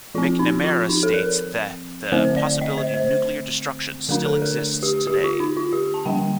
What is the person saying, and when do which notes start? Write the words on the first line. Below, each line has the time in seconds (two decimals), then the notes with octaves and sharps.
McNamara states that the possibility of nuclear destruction still exists today.
0.15 F3 F4
0.18 C4
0.39 D#4
0.64 F4
0.89 D#4
1.03 A4
1.14 A#4
2.12 D3 A3 C4 C5
2.36 D5
2.61 D#5
2.77 C5
2.94 C5
4.09 D3 A3 D4 A#4
4.25 A4
4.42 A#4
4.83 G4
5.07 G4
5.24 F4
5.40 D#4
5.57 F4
5.73 G4
5.94 A5
6.06 D3 G3 A#3 G5